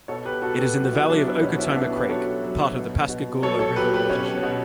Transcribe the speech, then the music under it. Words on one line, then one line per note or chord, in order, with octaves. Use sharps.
It is in the valley of Okatoma Creek, part of the Pascagoula River watershed.
B2 A4 C#5
G4 B4
B2 F#4 A4
G4 B4
F#3
F#4
E4 G4
F#3 D4 F#4
B3
B2 C#4
C#4 E4
B2 D4 F#4
G4 B4
F#3 A4 C#5
F#3
B2
B2
F#3 A4 C#5
A4 C#5
F#3 G4 B4
G4 B4
B2 C#4
B2